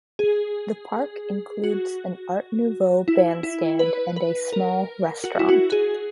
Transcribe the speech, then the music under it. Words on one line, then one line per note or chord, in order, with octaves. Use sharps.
The park includes an Art Nouveau bandstand and a small restaurant.
G#4
F#4
E4
E4
B4
B4
A#4
F#4
E4
F#4
G#4